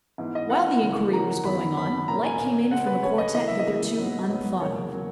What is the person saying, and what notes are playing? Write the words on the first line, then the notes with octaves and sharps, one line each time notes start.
While the inquiry was going on, light came in from a quartet hitherto unthought of.
G#2 E3 B3
D#5
G#2 E3 B3 F#5
C#3 E3 A#3 C#4
C#3 E3 A#3 C#4 A#5
F#2 D#3 F#3 B3 B5
F#2 D#3 F#3 B3 B5
A#2 A#3 C#4 A#5
G#5
A#2 A#3 C#4
C#3 G#3 C#4 F#5
B4
C#3 G#3 C#4 C#5
D#5
C#3 E3 A#3 D#5
E5
D#5
C#3 E3 A#3
G#2 F#3 B3
G#2 F#3 B3
E2 C#3 F#3 A#3 C#5
C#3 F#3 A#3